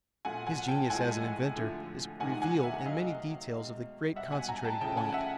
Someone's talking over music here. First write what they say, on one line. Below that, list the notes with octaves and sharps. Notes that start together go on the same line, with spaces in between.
His genius as an inventor is revealed in many details of the great concentrating plant....
A#2 F3 A3 F#5 G#5
F#5 G#5
G5 A5
A2 F3 G#3 F#5 G#5
D3 F3 A3
C3 D#3 G#3 F#5 G#5
F#5 G#5
E5 F#5
C3 D#3 F#3 A3 D#5 F5
B2 G#3
B2 G3 E5 F#5
F#5 G#5
G#5 A#5
G5 A5
C#3 F3 A3 G5 A5
F#5 G#5
E5 F#5